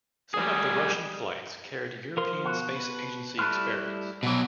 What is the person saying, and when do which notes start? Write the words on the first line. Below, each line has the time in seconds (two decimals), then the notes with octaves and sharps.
Some of the Russian flights carried European Space Agency experiments.
0.34 G3 G#4
2.17 F3 A#4 C6
2.44 B2 F#4
2.76 B4
3.39 G3 A3 E4 B4 F6
4.23 F2 B2 E3 F#3